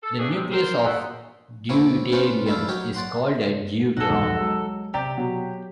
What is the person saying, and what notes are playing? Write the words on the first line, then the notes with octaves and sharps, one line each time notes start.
The nucleus of deuterium is called a deuteron.
A4
C#3 E3 D4 F#4 G#4
C3
A#4 C5
E2 A3 A#3 C5 D#5 F#5
A#3 C4 D4 E4 C#5
C#4 D4 F4 B4 C5
G3 A3 D4 E4 A4 F5
F#3 D#4 G4 A#4 C#5
D5 F#5 C6
B1 F#4 A4
B1 E2
F#3 G#3
C3 G4 D5 A#5
B2 F#3